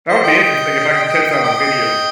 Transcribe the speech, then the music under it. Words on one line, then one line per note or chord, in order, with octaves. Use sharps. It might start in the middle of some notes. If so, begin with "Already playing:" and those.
That would be interesting if I could catch that on video.
C5 D#5
D#5 G5
D#5 G5